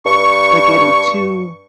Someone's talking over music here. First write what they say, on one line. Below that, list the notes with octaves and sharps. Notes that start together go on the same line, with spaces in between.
like, getting too
G2 C#6